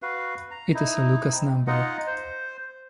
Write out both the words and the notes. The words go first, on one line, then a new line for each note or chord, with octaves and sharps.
It is a Lucas number.
F#4 B4 F5
A#5
D#4 E4
C4
D#4 F4 D#5 F#5
C5